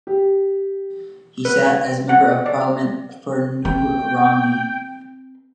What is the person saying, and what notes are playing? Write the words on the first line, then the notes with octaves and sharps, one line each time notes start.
He sat as Member of Parliament for New Romney.
G4
B4
F#5
D5
C4 G5